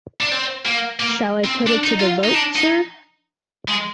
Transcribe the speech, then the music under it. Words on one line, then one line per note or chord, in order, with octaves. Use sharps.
Shall I put it to the vote, sir?
D4
C4
A#3
A#3
C4
D4
D#4
F4
D#4
D4
D#4
G#3